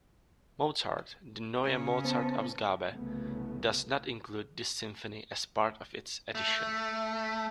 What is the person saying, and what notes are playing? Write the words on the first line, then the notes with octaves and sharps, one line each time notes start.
Mozart, the Neue Mozart-Ausgabe does not include this symphony as part of its edition.
C#3 C#4
B3 C5 A5
C2 C#3 F#3 A3 B3
A3